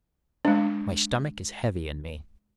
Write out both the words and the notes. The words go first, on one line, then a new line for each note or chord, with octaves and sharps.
My stomach is heavy in me.
G#3 D4